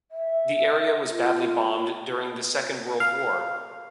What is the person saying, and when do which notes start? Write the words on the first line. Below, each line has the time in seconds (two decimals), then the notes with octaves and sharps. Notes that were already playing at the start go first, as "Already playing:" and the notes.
The area was badly bombed during the Second World War.
0.11 E5
1.10 F4
3.00 F5